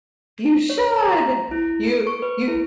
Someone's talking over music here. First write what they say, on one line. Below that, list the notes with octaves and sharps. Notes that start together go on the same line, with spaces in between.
you should! you you
C#5
A#5
E4
D7
C#6
B4
E4